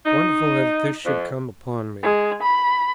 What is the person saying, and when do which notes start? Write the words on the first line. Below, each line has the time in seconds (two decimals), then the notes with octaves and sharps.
Wonderful that this should come upon me!
0.06 D#4
1.05 F2
2.03 G#3
2.42 B5